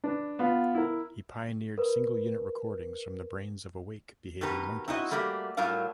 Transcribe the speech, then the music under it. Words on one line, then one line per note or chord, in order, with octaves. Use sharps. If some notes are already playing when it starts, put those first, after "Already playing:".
He pioneered single-unit recordings from the brains of awake, behaving monkeys.
D4 B4
B3 F4
E4 A#4
A#4 B4
B2 D#3 G4 B4 A#5
C4 D#4 E4 F#4 D#5
G3 A3 A#3 F#4 G4
A2 F#3 G3 F4 A#4 F5